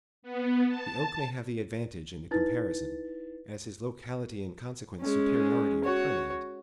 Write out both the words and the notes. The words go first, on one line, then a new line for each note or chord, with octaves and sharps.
The oak may have the advantage in the comparison, as his locality and consequent superiority are permanent.
B3
A5
D#4 E4 B4 A6
G#3 C#4
F#4 C#5